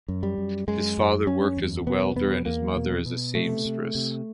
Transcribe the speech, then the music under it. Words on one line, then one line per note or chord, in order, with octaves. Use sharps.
His father worked as a welder and his mother as seamstress.
F#2
G3
F#2
F#2 G#3
F#2
F#2 C#4
E2
B2 B3
E2 B3
E2 A#3
B2
B2
C3 A3
C3
C3